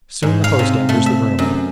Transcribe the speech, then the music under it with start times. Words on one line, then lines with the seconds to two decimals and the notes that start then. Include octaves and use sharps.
Soon the host enters the room.
0.22 G#2
0.44 F5
0.59 C3
0.89 A3
1.06 E5
1.39 F#2